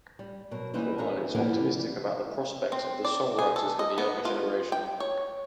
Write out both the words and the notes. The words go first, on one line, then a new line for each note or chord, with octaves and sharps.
Kuan is optimistic about the prospects of the songwriters in the younger generation.
G3
B2 F#3 A#4
E3 G3 A#3 D#4 B4 C5
D4 F#4 G#4 A#4 C#5 E5
D3 E3 F3 G3 A#3 B3
C4
D5
G#4
A4
D#5
B3
F4
G5
C#5